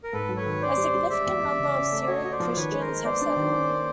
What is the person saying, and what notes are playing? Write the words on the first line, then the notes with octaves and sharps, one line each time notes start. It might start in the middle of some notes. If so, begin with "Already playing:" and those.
A significant number of Syriac Christians have settled.
A#4
G#2 A4 B4
F#3
B4 C#5
D#3
C#4 C5 D5
G3
G3
G#3 D5 E5
E2
E2
C#3
C#4
A3
D5
F#4 C#5 D#5
F#4 D#5
C5 D5
F3
D#3 B4 C#5
G#3
A#4 C5
G#3
B3 C5 D5
D4
D#3
C#4
A#3